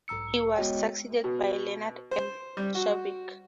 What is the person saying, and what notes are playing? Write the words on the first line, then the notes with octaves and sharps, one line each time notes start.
He was succeeded by Lenard M. Shavick.
B1 G#2 A#5 E6 C#7
G#3 B3 F#4 C#5 D#5 G5
B2
C5
G3
F#4